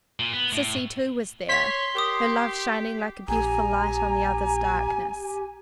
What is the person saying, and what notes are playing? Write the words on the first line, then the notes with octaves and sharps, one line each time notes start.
Sissy, too, was there, her love shining like a beautiful light on the other's darkness.
A#2
B3
A2
C#5 C6 B6
G4 A#4 D6 D#6
A#1 G4 G#5 A#5